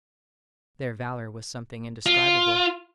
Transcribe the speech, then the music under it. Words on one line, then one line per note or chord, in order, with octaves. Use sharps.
Their valor was something indescribable.
F4